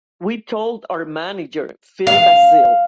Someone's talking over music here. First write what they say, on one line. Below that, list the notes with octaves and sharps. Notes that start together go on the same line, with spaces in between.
We told our manager, Phil Basile.
F5